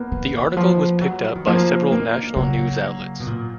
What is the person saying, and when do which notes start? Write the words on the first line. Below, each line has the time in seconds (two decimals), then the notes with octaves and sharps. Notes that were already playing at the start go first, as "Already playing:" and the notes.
The article was picked up by several national news outlets.
Already playing: A#3 B3
0.12 D#3
0.57 F3
1.01 F#3
1.35 D#3
1.47 F3 A#3
1.92 D#3 A#3
2.36 C#3 F#3
3.20 B2
3.27 A#2